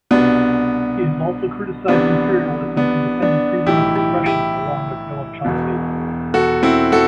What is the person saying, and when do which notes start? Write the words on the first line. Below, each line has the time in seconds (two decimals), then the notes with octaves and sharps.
He has also criticized imperialism and defended freedom of expression along with Noam Chomsky.
0.11 C2 B2 B3 D4
1.88 C2 C3 E3 B3 D4
2.77 B3 D4
3.22 B3 D4
3.66 B1 A2 E3 E4 G4
3.95 E4 G4
4.26 E4 G4
5.45 E1 E2 B2
6.34 F#4 A4
6.63 C4 E4
6.92 F#4 A4